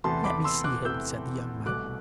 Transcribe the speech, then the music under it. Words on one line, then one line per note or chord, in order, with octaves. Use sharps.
"Let me see him," said the young man.
E2 C3 E3 A3 A5 C6
B5 D6
C6 E6
D6 F#6
E2 C3 E3 A3 E6 G6
C2 B2 A3 D6 F#6